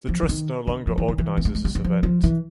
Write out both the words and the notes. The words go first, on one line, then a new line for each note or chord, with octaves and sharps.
The Trust no longer organizes this event.
F3
E3
D#3
D3
F3
E3
D#3
E3
A#3
A3
G#3
G3
F#3
F3
F3
E3